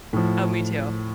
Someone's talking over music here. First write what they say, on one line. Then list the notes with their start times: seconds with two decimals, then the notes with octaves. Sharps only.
Oh, me too.
0.13 A2 F3